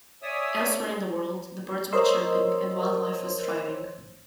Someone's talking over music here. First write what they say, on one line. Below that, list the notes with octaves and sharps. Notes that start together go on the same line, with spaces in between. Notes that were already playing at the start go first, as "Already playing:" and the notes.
Elsewhere in the world, the birds were chirping and wildlife was thriving.
C#5 D5 E5 G#5 D#6 E6
A#4 C5 C#5 D#5 C6 E6